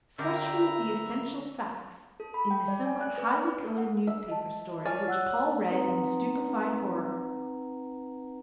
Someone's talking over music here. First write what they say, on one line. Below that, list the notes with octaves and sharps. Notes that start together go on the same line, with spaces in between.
Such were the essential facts in the somewhat highly coloured newspaper story which Paul read in stupefied horror.
D3 G4 A#4 D5 E5 G5 A#5
B4
A4
B5
G5
D5
G#5
F#6
B4
B4
A4
F#5
E5
D#5 A5
C#5 D5 G#5 F6 A6
F#5 E6 F#6
C4 D#4 B4 F#5 G5 A#5